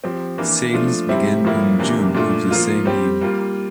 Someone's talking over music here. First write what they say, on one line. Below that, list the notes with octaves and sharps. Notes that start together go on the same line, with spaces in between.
Sales began in June of the same year.
F3 C4 G4
E3 A#3 D4
F3 A3 D4 F4
C3 G3 C4 E4 G4
A2 F3 A#3 E4
C3 E3 A#3 D4
A#2 A3 D4 F4
F3 A#3 F4
G3 C4 G4
G3 A#3 F4